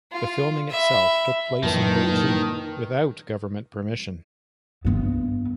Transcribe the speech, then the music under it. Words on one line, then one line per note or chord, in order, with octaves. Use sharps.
The filming itself took place in Beijing, without government permission.
F4
E5 B5
F#2 A#2 D#3 E3 A#4 B4 A5
G2 B3